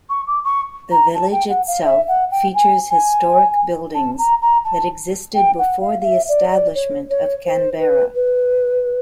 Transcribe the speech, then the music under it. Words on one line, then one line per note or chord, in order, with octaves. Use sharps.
The village itself features historic buildings that existed before the establishment of Canberra.
C#6
D6
C#6
A#5
A5
G5
F#5
F5
E5
F#5
G5
G#5
G#5
A5
A#5
A#5
A5
G5
F#5
F5
F5
E5
D5
D5
C#5
C#5
C5
B4
B4